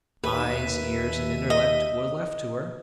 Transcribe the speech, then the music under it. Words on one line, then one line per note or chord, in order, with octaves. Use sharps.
Eyes, ears, and intellect were left to her.
D#2 B4 E5 D#7
D#5